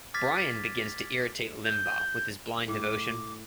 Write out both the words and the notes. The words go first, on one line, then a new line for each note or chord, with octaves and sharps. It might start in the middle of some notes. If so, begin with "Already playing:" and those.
Brian begins to irritate Limbaugh with his blind devotion.
D6 F6 G#6 A6 B6
G6
A2 D6